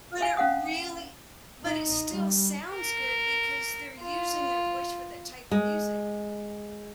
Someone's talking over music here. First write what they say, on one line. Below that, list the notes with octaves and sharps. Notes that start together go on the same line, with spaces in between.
but it really but it still sounds good because they're using their voice for that type of music.
E5 F5 G#5
C#4 F5 F#5 D#6
D#4
G3
A#4
F4
G#3